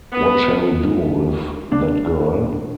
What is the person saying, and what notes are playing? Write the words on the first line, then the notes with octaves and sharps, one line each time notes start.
What shall we do with that girl?
B3
D4